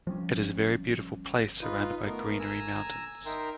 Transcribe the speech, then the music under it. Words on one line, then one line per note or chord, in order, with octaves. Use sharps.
It is a very beautiful place surrounded by greenery mountains.
F3 G3 C#4
D#4 F4 B4
A3 B3 A#4
G#5 A#5 E6
D#4 A#4 E5 G5 A#5 C6